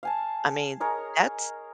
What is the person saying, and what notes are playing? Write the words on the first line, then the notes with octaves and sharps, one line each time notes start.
I mean, that's
F5 G#5 A5
G#4 A#4 C#5 D#5